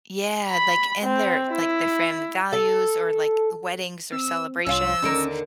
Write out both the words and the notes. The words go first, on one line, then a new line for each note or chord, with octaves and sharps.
Yeah, like, in their like, their family values or, like, weddings or celebrations.
B5
C4
E4
A4
C4 E6
C2 C#4 F4 E6
D#2 D3 C#4 A#4